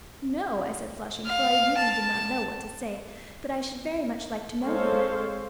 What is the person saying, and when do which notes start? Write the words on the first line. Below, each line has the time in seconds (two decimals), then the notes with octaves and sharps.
"No," I said, flushing, for I really did not know what to say; "but I should very much like to know her."
1.25 F5
1.77 A5
4.64 G#3 C4 A4 C5 C#5 F5